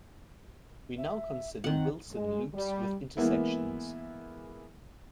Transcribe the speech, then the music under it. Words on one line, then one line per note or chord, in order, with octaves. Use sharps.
We now consider Wilson loops with intersections.
E5
D#3 C4 F#5
G#3
G3
E3 G#3 A#3 B3 E4